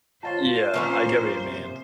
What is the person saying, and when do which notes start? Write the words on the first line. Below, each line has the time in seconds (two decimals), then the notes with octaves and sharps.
Yeah, I get what you mean.
0.23 F4 C5 C#5 F5 A5 A6 C7
0.74 A#2 F3 C#4 B4 C#6
1.04 A#3 C#5
1.40 C3 G7